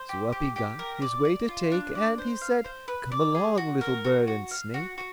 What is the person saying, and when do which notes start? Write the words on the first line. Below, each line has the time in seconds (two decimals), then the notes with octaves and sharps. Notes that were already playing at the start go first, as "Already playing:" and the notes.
So up he got, his way to take, And he said, "Come along, little bird and snake."
Already playing: C5
0.09 G4
0.32 G4
0.56 G4
0.79 A#4
1.02 D5
1.25 D5
1.49 F4
1.72 D4
1.95 D5
2.18 C5
2.41 F5
2.64 C5
2.88 B4
3.12 D5
3.35 G#4
3.58 F#4
3.81 A#4
4.05 F#4
4.28 F#4
4.51 F5
4.74 F#4
4.98 F#4